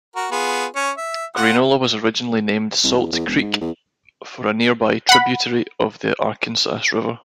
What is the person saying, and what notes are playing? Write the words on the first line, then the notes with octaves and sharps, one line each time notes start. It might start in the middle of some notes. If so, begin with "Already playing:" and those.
Grainola was originally named Salt Creek for a nearby tributary of the Arkansas River.
F#4 A#4
B3 F4 G#4
C#4 C#6
E5
F4 F#5
C2
E2
E2
E1
G#2
E2
F#5 B5